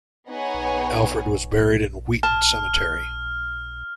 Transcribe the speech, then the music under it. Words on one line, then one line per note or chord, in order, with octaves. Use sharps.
Alfred was buried in Wheaton Cemetery.
B3 D#4 G#4 C#5 F#5 G#5
A5 F6